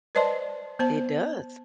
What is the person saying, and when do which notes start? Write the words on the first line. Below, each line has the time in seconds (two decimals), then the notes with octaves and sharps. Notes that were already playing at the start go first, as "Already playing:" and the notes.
It does.
0.15 B4 C5 D5 D#5 A5 C6
0.79 B3 C5 A5